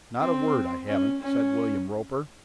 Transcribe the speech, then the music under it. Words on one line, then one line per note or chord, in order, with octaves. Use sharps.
"Not a word, I haven't," said William Roper.
C4
C#4
C#4